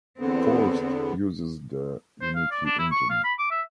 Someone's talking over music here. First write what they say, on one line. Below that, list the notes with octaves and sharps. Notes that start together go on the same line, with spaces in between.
"Forced" uses the Unity engine.
E2 D3 B3 C4
C5
F5
D5
D4
E4
C#6
F5
B5
D6
E5